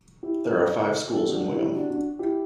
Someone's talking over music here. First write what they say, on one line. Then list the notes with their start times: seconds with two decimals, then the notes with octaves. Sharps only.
There are five schools in Wingham.
0.23 E4 G4
0.45 F#4 A4
1.11 A4
1.22 G4
1.32 D4 F#4
1.53 E4 G4
1.75 D4 F#4
1.90 D4 F#4
2.19 E4 G4